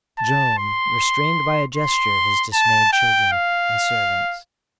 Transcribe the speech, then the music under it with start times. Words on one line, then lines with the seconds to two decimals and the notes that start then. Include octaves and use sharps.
Joam restrained by a gesture his dismayed children and servants.
0.18 A5
0.58 C6
1.75 C6
2.53 A5
2.93 G5
3.32 F5